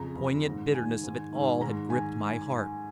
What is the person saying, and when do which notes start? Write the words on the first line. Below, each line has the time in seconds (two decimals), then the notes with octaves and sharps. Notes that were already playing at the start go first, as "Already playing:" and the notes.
The poignant bitterness of it all had gripped my heart.
Already playing: F2 C#3 A#5
0.16 F2 C#3
0.45 G#2 D#3
0.74 G#2 D#3 G#5
1.03 G#2 D#3
1.31 G#2 D#3
1.61 G#2 D#3 A#5
1.90 D#3 G#5